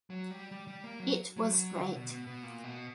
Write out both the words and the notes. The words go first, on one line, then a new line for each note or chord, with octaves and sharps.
It was great.
F#3
G3
G3
G3
A#3
F#3
F#3
F#3
D3
B2
B2
B2
A#2
B2